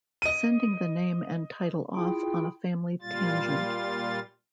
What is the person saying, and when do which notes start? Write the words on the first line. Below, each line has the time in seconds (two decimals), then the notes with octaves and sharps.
Sending the name and title off on a family tangent.
0.22 D#5 D#7
1.95 E4 F4 G#4 G5
3.02 A#2 G3 F4 A6